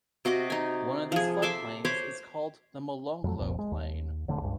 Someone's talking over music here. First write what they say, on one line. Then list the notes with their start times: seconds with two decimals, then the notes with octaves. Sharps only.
One of these floodplains is called the Molonglo Plain.
0.25 C3 F#4 D#5 D6
0.50 D#4 G#5
1.12 F3 G#4
1.42 A4 E5 C6 D6
1.85 C5 C#5 B5 D6
3.24 F2 F#3 A3
3.38 F1 C2 F2 A#2
3.59 G#3
3.71 D#2
4.28 E1 D3 A3
4.41 C#2 G2